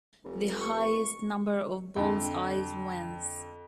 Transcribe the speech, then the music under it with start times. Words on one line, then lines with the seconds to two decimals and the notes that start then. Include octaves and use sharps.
The highest number of bulls-eyes wins.
0.24 F1
0.62 C#6
1.96 F2 D3